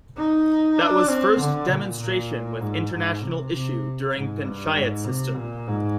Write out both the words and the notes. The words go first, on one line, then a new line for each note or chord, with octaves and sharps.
That was first demonstration with international issue during Panchayat system.
D#4
D4
C4
D3
A#2
A#2
G#2
G#2
C3
C3
G#2
G2
G#2
C3
A#2
G#2